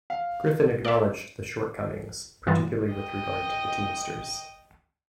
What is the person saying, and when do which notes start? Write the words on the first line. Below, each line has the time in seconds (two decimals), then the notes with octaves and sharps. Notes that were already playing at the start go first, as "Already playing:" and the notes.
Griffin acknowledged the shortcomings, particularly with regard to the Teamsters.
0.10 F5
0.85 D5 E5
2.46 G2 E3 B3 F4
2.94 D#5 G5